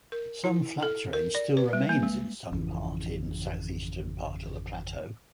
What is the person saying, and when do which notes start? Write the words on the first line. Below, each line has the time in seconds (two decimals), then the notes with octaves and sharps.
Some flat terrain still remains in some part in southeastern part of the plateau.
0.12 A#4
0.44 E4
0.83 A4
1.13 A#4
1.35 D5
1.57 B4
1.73 G3
1.89 A#3
2.03 G#3
2.52 G#1 F2 C#3 E3